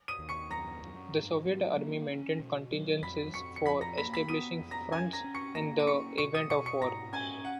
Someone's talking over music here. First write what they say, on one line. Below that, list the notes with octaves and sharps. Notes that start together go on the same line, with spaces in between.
The Soviet Army maintained contingencies for establishing fronts in the event of war.
D#6 D#7
D#2
C#6 C#7
F#2 A#5 A#6
F#2
G#2
F#3
A#3
C#4
B2
F#3
F2 B5 B6
F2 C#6 C#7
C#7
F3 B5 B6
A#5 A#6
A#3 B5 B6
B5 B6
B3 D#6 D#7
F2
A#5 A#6
C#4 G#5 G#6
A#5 A#6
C#4
C#6 C#7
A#3 A#5 A#6
D#7
C#4 C#6 C#7
B2 C#6 C#7
D#6 D#7
B2 C#6 C#7
C#6 C#7
G#2 A#5 A#6
C#4 G#5 G#6
F#5